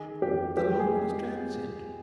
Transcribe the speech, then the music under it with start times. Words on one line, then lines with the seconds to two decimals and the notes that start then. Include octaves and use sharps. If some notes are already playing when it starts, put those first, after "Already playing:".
The look was transient.
Already playing: D#3 G#4
0.22 F2 G4
0.57 G#3 G4
0.80 G#4
0.92 G#3